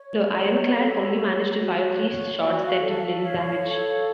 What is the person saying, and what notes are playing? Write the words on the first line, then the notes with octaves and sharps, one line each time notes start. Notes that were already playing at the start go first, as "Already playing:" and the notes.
The ironclad only managed to fire three shots that did little damage.
Already playing: C#5
C#5
A4 C#5
C#5
F#4
C#5
F#4 D5
D5
F5
A4
F5
C#5 F5
A4